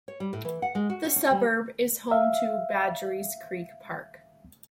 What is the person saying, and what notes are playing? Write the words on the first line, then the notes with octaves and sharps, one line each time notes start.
The suburb is home to Badgerys Creek Park.
C#5
G3
A2
E3
F#5
G#3
F#4
C#4
C#4
G3
E5 F5